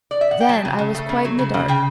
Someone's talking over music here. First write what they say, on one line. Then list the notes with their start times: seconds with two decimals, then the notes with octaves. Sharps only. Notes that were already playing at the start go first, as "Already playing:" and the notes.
Then I was quite in the dark.
0.11 D5
0.21 E5
0.31 F#5
0.40 G5
0.49 F#3 A5
0.65 C#3
0.79 C#3
0.95 A3
1.09 C#3
1.25 F#3
1.39 C#3
1.54 C#3
1.68 C#3 G5